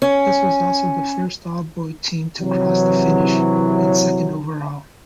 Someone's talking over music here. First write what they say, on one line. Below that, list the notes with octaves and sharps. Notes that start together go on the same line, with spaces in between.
This was also the first all-boy team to cross the finish, and second overall.
C#4
C3 E3 F#3